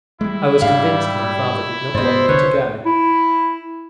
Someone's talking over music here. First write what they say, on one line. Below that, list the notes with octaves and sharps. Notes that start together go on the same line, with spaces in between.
I was convinced my father did not want me to go.
G3 G#3 E4
G#2 G3 D4 F5
G#2 B3 C5 D5 D#5
C2 D3 B4 C#5
E4